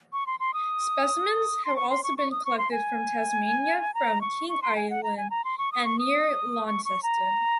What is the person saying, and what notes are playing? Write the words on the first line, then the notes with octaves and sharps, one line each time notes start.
Specimens have also been collected from Tasmania from King Island and near Launceston.
C#6
C6
C6
D#6
C6
C#6
C6
C#6
C#6
D#6
C#6
C6
G#5
A#5
C#6
C#6
C6
G#5
F#5
A#5
G#5
A#5
C6
C#6
D#6
C#6
D#6
C#6
C#6
A#5